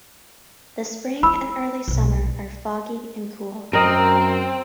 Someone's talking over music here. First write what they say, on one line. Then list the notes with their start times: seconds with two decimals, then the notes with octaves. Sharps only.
The spring and early summer are foggy and cool.
1.23 C4 B5 E6
1.88 B1 B2
3.73 F#2 C4 A#4 D#5 A#5